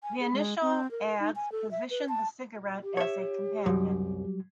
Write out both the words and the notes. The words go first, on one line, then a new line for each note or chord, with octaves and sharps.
The initial ads positioned the cigarette as a companion.
G#5
G#4
G#3
C4
A#4
D#4
G#5
A4
E5
B4
A5
G4
C#5 E5
C2 F#2 F#3 G3